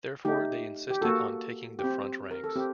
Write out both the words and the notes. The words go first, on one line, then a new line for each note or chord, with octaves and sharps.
Therefore, they insisted on taking the front ranks.
A3 D#4 G4
G4
A#3 F#4 A4
G4
C4
A#4
A4
C4 G4